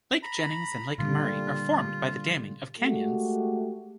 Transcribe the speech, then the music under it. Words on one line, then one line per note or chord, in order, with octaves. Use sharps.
Lake Jennings and Lake Murray are formed by the damming of canyons.
A#5 B5
A#2 D3 G3 F4
G#3 A3 F#4 G4